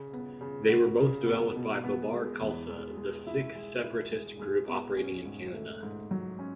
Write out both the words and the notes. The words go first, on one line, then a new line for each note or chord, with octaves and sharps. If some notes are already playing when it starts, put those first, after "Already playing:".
They were both developed by Babbar Khalsa, the Sikh separatist group operating in Canada.
Already playing: C#3
B3
C#3
F#4
C#3
B3
B2
B3
G#3
E2
G#3
G#3
E4
G#3
E4
G#3
G#3
B3
C#4
G#2
A3
G#2
F#3
C#4